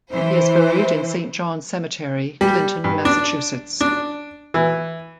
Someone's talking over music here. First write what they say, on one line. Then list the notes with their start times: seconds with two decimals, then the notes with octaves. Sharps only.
He is buried in Saint John's Cemetery, Clinton, Massachusetts.
0.12 E3 C5
2.41 G3
2.84 G2
3.05 D4
3.81 D4
4.54 E3